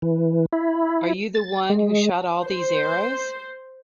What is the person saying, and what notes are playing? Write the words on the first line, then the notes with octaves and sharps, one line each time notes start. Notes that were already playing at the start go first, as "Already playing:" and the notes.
Are you the one who shot all these arrows?
E3
E4
A6
G#3
C5